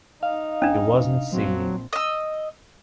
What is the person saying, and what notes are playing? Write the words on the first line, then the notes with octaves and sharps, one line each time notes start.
He wasn't singing.
D#4 F5
F1 C#4 D4
A#1 F#3 C4
D#5 E6